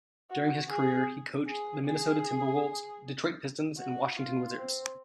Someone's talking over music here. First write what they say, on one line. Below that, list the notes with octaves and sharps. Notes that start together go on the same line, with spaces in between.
During his career, he coached the Minnesota Timberwolves, Detroit Pistons, and Washington Wizards.
F#4
G#4
G#4
G#4
F#4
F4
C4